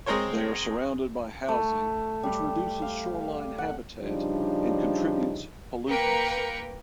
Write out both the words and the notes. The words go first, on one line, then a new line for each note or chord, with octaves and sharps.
They are surrounded by housing which reduces shoreline habitat and contributes pollutants.
G#3 C4 A#4 C5 C#5
A3
G3
F5
F#5
C#3 F3 G3 D4 D#4
A#3 A#4 B4 G5 C#7